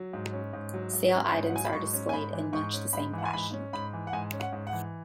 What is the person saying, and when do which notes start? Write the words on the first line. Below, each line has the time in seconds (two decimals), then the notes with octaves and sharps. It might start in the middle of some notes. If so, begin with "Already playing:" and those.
Sale items are displayed in much the same fashion.
Already playing: F#3
0.13 G#2
0.33 C#4
0.53 G#2
0.74 F#3
0.93 G#2
1.13 C#4
1.33 G#2
1.47 F#5
1.53 F#3 G#5
1.64 B5
1.73 G#2 C#6
1.93 C#4
2.09 G#5
2.13 G#2 B5
2.33 E3
2.53 G#2 C#6
2.73 C#4
2.93 G#2 B5
3.13 E3 F#5
3.25 G#5
3.33 G#2 B5
3.53 C#4
3.73 G#2 B5
3.93 E3
4.07 F#5
4.13 G#2 G#5
4.33 C#4
4.40 F#5
4.53 G#2
4.67 F#5
4.73 E3